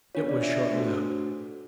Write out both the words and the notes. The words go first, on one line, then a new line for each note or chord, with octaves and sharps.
It was short-lived.
B3 D4 F4 C#5
D5
E5
A3 D4 F#4 A4 C5